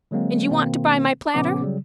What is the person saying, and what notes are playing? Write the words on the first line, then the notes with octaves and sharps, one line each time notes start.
And you want to buy my platter.
D3 F#3 G#3 A#3 C4
B2 D#3 A#3 C4
A#2 C#3 F3 B3 C#4 D6
C#3 F#3 G3